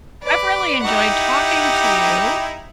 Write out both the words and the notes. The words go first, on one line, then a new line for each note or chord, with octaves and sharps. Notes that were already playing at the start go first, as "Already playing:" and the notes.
I've really enjoyed talking to you.
B4 D5
D#4 E4 G4 F#5